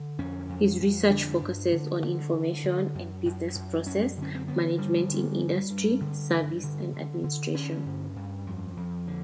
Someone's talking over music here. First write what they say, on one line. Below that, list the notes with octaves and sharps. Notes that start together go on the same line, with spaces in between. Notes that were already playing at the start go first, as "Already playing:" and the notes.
His research focuses on information and business process management in industry, services and administration.
Already playing: D3
F2 C#4
F2
F2
D3 D4
G2
D3
D3
D3
D3
F#2
F#2
F#2
F#2 C#4
D3
C#4
C4
D3 B3
G2 G3
D3
G2
G2
D3
G2
D3
D3
D3
D3 C#4
G2
G2
F2
F2
D3